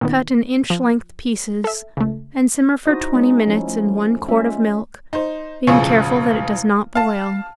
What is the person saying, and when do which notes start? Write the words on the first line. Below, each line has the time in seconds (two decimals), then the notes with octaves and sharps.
Cut in inch length pieces and simmer for twenty minutes in one quart of milk, being careful that it does not boil.
0.01 A#2 D#3 B3
0.70 F3
1.64 A4 E5
1.97 C#2 A3
2.86 D#4 E4 F#4 C5 D#5
3.13 G#3 C#4 D#4
3.48 F3 C#4 E4
3.68 A3
4.28 G#3 C#4 F4 E5
5.13 D#4 C5
5.67 E1 A1 C#3 F3 G#5 C#6
6.95 F5 A5